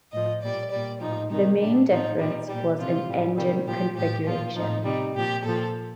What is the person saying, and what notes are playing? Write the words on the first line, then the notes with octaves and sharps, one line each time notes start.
The main difference was in engine configuration.
A2 F3 D#5
A#2 G3 D5
A#2 G3 D5
A2 F3 D#4
C3 D#3 G3 D#4
A#2 G3 D4
A2 F3 D#4
A#2 G3 D#4
A#2 G3 G4
C3 F3 F4
A2 G3
C3 D#3 G3
A#2 F3 G4
A2 F3 G4
A#2 F3 F4
A2 F3 D#4
C3 G3 D#4
A#2 F3 G4
A#2 F3 A4